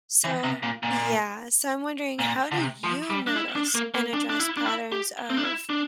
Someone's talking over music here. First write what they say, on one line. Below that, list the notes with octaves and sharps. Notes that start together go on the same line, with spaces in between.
so Yeah. So, I'm wondering how do you notice and address patterns of
E3
C3
A#2
A#2
A#2
D3
C3
F3
G3
D4
E4
D4
A#3
A#3
D4
D4
E4
D4
E4
G4
C4
D4
E4
D4